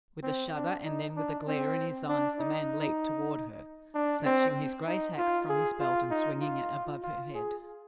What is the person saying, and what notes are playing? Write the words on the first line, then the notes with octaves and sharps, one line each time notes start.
With a shudder and then with a glare in his eyes the man leaped toward her, snatching his great ax from his belt and swinging it above her head.
C4
D4
D#4
D4
C4
D4
D#4
D4
C4
D#4
F4
G#4
F4
D#4
F4
F4
G#4